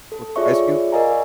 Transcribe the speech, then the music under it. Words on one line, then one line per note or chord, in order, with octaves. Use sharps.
with Ice Cube?
A4
F4 G#4 C#5 D5 E5 C#6
A#4 D5 D#5 F5 G#5 A#5